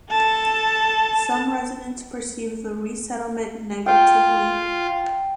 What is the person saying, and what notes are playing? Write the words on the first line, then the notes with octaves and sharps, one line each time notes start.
Some residents perceived the resettlement negatively.
A4 A5
F4 G5